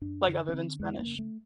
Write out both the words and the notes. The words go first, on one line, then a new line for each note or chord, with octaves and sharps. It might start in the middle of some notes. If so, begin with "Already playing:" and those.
Like other than Spanish?
F#2 D4
D3
C#4
D3 C4
F2 G#3
A#3
C#3
A3